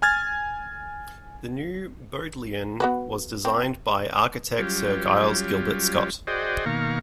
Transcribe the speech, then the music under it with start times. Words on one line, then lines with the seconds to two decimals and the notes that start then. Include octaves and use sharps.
The New Bodleian was designed by architect Sir Giles Gilbert Scott.
0.02 G#5 F6 G#6 A6
2.80 B3 F#4 B4
3.45 C4
4.59 F#3 G3 C#4 F4 G4
6.27 F#4 G#4 C5 D5 D#5 G5
6.66 B2 D#3 A#3 F5 A#5 C#6